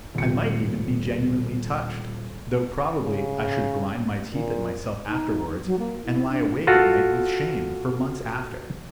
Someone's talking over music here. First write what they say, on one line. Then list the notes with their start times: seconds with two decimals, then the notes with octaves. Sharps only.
I might even be genuinely touched, though probably I should grind my teeth at myself afterwards and lie awake at night with shame for months after.
0.15 D#1 C#7
3.02 C#3
4.33 A#2
5.07 D#4
5.66 F#3
5.79 A#3
6.04 E4
6.29 D4
6.67 F4 F#4 A4